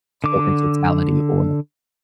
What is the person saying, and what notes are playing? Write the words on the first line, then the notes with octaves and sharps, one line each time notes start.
to in totality or
D3 D6